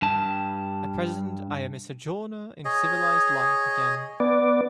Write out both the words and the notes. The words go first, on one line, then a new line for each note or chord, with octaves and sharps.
At present I am a sojourner in civilized life again.
G2 A5
G#4 C#5 D#5
B3 D5